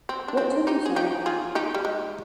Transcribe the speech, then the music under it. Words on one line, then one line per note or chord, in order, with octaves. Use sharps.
What Took You So Long?
C4
D4
C4
D#4 G4
G#4
D#4 G4
F4 G#4
D#4 G4
G3
G#3